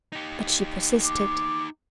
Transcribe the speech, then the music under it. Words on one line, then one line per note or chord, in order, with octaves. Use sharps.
But she persisted.
D#4 G4
D6